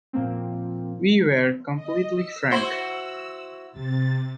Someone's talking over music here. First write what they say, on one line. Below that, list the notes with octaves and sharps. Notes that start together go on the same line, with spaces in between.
We were completely frank.
A#2 F3 A#3 C4
D#5
E6
E4 F#4 C5
C3 A6